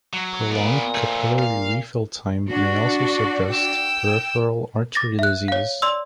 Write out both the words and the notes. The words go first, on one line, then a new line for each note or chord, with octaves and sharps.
Prolonged capillary refill time may also suggest peripheral artery disease.
F#3
A#2 B3 D5
A3 C4
F5
D4 F#4 D5
G5 E6
D6 A6 A#6
E5 F#6
C#5 F5
D5 C6 E6